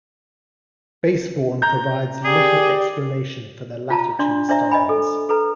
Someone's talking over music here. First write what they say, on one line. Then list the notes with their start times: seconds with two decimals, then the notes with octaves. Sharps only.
Basevorn provides little explanation for the latter two styles.
1.62 A#5 G6
2.25 G4 G#4 D5
3.90 F4 A5 A#5
4.19 D4 D5 C6
4.49 D4 C5 D5 E5 A#5
4.71 D#5 G#5 B5
4.89 A4
5.29 A4 B4 A#5